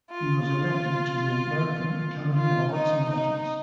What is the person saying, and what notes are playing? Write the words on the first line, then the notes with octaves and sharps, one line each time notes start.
He was elected to the American Academy of Arts and Letters.
F4
F4
F4
D#4
D#4